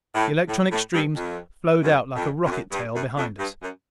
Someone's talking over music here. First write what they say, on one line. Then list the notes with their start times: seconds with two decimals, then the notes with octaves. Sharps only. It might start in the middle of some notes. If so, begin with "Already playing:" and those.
The electronic streams flowed out like a rocket tail behind us.
0.15 A2
0.48 A2
0.71 A2
0.93 G2
1.16 F2
1.82 F#2
2.16 F2
2.45 F2
2.50 F#2
2.72 G2
2.94 F#2
3.17 F2
3.39 G2
3.62 F#2